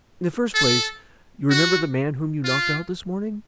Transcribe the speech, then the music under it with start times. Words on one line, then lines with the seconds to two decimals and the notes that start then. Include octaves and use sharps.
In the first place, you remember the man whom you knocked out this morning?
0.54 A4
1.50 F#4
2.45 F4